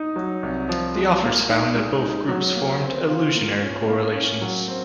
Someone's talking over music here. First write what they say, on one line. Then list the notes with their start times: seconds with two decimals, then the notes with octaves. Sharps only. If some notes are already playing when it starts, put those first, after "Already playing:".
The authors found that both groups formed illusory correlations.
Already playing: D#4
0.16 F#3
0.43 C2
0.69 F3
0.95 G#3
1.22 A#3
1.49 D#4
1.75 G#3
2.02 D#4
2.29 F#3
2.56 A#3
2.82 C4
3.08 F4
3.35 A#3
3.61 C#4
3.88 A#3
4.15 C#4
4.41 F#3
4.68 C4